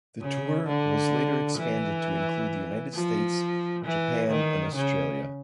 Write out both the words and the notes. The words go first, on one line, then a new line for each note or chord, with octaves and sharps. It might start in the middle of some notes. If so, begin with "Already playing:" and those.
The tour was later expanded to include the United States, Japan and Australia.
C#3
D3
E3
F3
E3
D#3
C#3